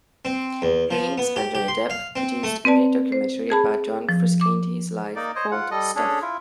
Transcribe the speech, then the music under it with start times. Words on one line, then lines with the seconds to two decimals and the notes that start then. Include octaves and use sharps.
Haynes and Johnny Depp produced a mini-documentary about John Frusciante's life called "Stuff".
0.25 C4
0.62 E2
0.91 F3
1.18 B3
1.36 G4
1.55 G4
1.68 C6
1.90 F5
2.16 C4
2.43 A3
2.65 C4 B4 D5 A5
3.12 C5
3.50 G#4 A5 B5
4.09 F3
4.41 D6
5.15 A#3 D#4 D5
5.35 C5 C#5 D#5
5.51 F4 F#5
5.71 G3 A4 D#5
5.96 C#4 D4 G#4 A4
6.22 E4 F4